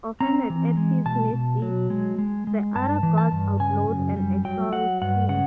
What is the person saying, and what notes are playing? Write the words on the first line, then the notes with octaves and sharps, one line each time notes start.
Offended at his misdeeds, the other gods outlawed and exiled him.
C4 A#5
E3
G#3
B2 A5
B2
F#3
G#3
G#3
G#3
G2 A5
E3
A5
G2
C#3 G#5
F#2
G3
F#3 G5
F#3 F#5
G2 F#5
C#3 F#5